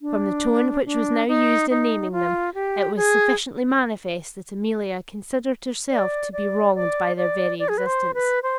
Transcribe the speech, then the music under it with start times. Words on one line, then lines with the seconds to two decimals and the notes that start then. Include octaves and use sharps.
From the tone which was now used in naming them, it was sufficiently manifest that Amelia considered herself to be wronged by their very existence.
0.02 D4
0.86 D4
1.28 D#4
1.70 D#4
2.12 F4
2.54 G4
2.96 G#4
5.91 D5
6.33 D5
6.75 D5
7.17 D5
7.59 D5
7.69 G#4
7.78 B4
7.87 C5
8.14 B4
8.43 C5